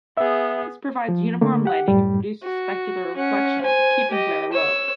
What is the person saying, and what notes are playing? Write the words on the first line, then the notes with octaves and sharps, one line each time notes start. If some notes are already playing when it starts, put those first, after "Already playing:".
This provides uniform lighting and reduces specular reflection, keeping glare low.
B3 G#4 E5
F3
D3 A3 A#3
G4 F#5
F#2 A2 G3
F#4
C#4 F#5
C5 G#5
G4 D#5
C#5 E6